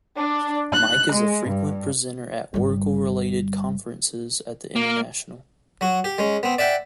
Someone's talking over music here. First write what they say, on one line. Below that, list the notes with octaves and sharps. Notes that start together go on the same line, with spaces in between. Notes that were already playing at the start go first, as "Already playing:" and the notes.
Mike is a frequent presenter at Oracle related conferences at the international.
D4
F#6
G#3
G2
G1 G3
A#3
F#3 F#4
G4
G#3 C#4
B3 C4
D5 E5 F#5 G5